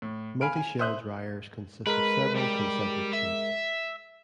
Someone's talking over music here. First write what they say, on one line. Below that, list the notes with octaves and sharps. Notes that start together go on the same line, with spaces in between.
Multi-shell dryers consist of several concentric tubes.
A2
F5 G#5 B5 F6 D7
G#5
C5 E5 D#6 F#6 G6
G#3 A#4 B4 B6
G3 G4
E5